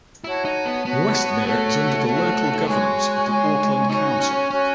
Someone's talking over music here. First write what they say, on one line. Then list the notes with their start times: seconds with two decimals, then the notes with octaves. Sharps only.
Westmere is under the local governance of the Auckland Council.
0.24 E4 F#4 C#5 F#5 A5
0.45 D#4
0.65 B3
0.85 B3 F#4 C#5 F#5 A5
1.46 A3 F#4 C#5 F#5 A5
2.07 F#4 C#5 F#5 A5
2.67 G#3 F#4 C#5 G#5 C#6
3.29 F#4 C#5 G#5 C#6
3.89 D#4 F#4 C#5 G#5 C#6
4.20 C#4
4.50 C#4 F#4 C#5 G#5 C#6